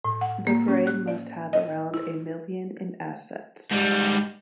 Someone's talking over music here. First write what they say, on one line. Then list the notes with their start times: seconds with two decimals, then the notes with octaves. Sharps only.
The parade must have around a million in assets.
0.05 A2
0.21 F#5
0.47 A#3
0.68 C#4
0.87 F#6
1.08 D5
1.53 D#5
1.94 E4
3.71 G#2 G3